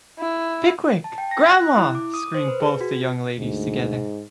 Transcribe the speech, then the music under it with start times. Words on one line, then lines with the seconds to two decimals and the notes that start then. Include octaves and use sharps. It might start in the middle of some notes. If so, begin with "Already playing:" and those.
Pickwick, grandma!’ screamed both the young ladies together.
0.19 E4
1.04 A5
1.18 G5
1.31 A#6
1.50 F#6
1.77 E4
1.95 D6
2.14 D#6
2.35 C5
2.48 B4
2.61 G#4
2.81 F#4
3.38 D2 G#2